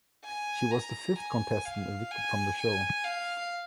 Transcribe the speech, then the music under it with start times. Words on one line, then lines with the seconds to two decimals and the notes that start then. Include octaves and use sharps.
She was the fifth contestant evicted from the show.
0.25 G#5
0.71 A#5
1.19 G#5
1.65 F5
2.11 G#5
2.58 G#5
3.04 F5